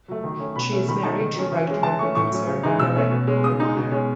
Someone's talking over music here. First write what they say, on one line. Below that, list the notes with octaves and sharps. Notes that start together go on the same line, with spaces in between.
She is married to writer and producer Eric Overmyer.
F#3 A3
D#3
A3 C#4
B2 B5
A3 C#4
D#3 B5
A3 D#4 A5
D#3
F#3 C#4
E3
G#3 C#4
E3 A5
A3 C#4 C#6
A2 C#6
F#3 C#4
C#3
E3 G#3 D#4
B2 E6
A3 C#4
B2
G#3 C#4
C#3 D#6
G#3 D#4
B2
G#3 C#4